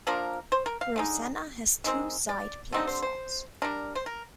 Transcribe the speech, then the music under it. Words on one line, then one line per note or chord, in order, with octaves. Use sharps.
Rosanna has two side platforms.
F3 A#3 D4 A#4
C5
A#4
F5
D3 G#3 D#4
D#3 G#3 C4
D5
D3 G3 C4 D#4
C5
C5
G3 D4 A#4
C5
A#4